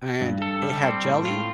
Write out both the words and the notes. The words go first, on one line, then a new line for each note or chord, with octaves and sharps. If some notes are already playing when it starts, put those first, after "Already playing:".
and it had jelly
G2
A4
G3
C4
A2
F4